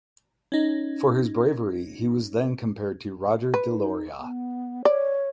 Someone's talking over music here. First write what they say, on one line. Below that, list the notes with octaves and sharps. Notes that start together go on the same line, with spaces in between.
For his bravery he was then compared to Roger de Lauria.
C#4 D#4
B4
D#4
B3
C#5 D5